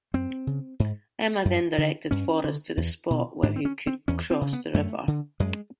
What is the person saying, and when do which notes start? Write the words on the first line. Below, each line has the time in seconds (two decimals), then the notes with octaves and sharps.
Emma then directed Forrest to the spot where he could cross the river.
0.14 F#2 C4
0.47 C#3
0.80 G#2
1.45 F#2
1.78 D3
2.11 G2 C#4
2.44 D3
2.77 E2
3.10 B2
3.43 G#2 D4
3.56 C4
3.65 C#4
3.87 C4
4.08 E2 C#4
4.31 C4
4.41 C#3
4.53 B3
4.74 F#2 A3
5.08 D3
5.40 F#2 G#3